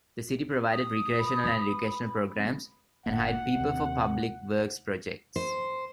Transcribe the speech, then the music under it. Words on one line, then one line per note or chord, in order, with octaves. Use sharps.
The city provided recreational and educational programs, and hired people for public works projects.
D#6
B4
G1 A#3 F#5
D#2 C3
C5